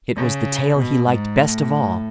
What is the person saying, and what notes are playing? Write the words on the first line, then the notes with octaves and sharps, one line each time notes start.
It was the tale he liked best of all.
C#3
B2
G#2
A2